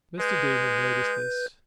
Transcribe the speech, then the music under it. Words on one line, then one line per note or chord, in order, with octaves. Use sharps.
Mr. Damon noticed this.
G#3 B4 G6